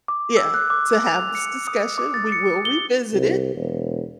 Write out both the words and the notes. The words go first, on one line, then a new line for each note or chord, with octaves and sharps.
Yeah, "To have this discussion, we will revisit it,"
D6
E6
F#6
D6
F7
C#7
D#6
D6
A6
C#7
G7
C2
E1